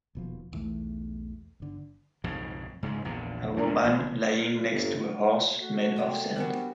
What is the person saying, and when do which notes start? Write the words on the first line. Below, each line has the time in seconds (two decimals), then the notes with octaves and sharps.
A woman lying next to a horse made of sand.
0.15 D#1 B2 F3
0.52 B1 E2 E3 A3
1.60 G1 D3
2.24 B1 F2 G#2 C#3
2.83 G#2 C#3 G#3
3.05 A#1 E2 A#2 D3
3.56 D2 G#3 D4
3.83 A1
4.71 G1
5.60 G#3 A3 F#4
5.96 C3 B3 C4
6.36 G3 B3 C4 D4 F#4 A#4 C5 G#5